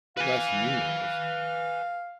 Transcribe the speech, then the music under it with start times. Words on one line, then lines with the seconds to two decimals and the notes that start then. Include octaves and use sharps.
less meals,
0.17 B4 F5 G#5